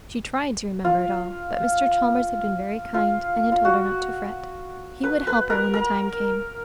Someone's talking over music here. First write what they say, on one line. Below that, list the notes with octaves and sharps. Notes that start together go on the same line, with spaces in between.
She tried to remember it all; but Mr. Chalmers had been very kind and had told her not to fret. He would help her when the time came.
F4
F4
F4
F#4
B4
B4
A#4
A#4